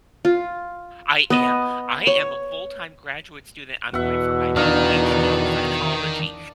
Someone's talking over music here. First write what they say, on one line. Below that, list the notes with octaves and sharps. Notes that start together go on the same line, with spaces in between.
I am, I am a full-time graduate student. I'm going for my PhD in psychology,
F4
B3 D#5
C#5
E2 B2 E5 F#5
D#3 D4 D#5 F5